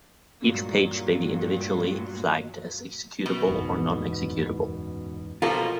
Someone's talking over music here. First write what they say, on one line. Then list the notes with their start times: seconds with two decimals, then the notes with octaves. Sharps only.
Each page may be individually flagged as executable or non-executable.
0.41 G2 A#2 F#3
3.26 B2
3.47 F#1 E2 G#2
5.42 B2 F3 A#3 F4 A4